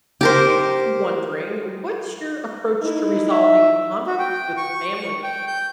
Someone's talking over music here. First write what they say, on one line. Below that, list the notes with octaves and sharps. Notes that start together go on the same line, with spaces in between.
I was wondering, what's your approach to resolving conflicts with family members?
G4 A#4 C5
D#4 E4
E5
F#4
G5
C#6
G5
G6